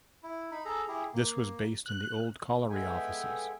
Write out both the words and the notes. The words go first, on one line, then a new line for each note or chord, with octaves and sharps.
This was based in the Old Colliery Offices.
E4
D#4 B5
G#4 A4 A#5
E4 G4 G#4
A#3
F#6
G#3 B3 A4 E5 G5 G#5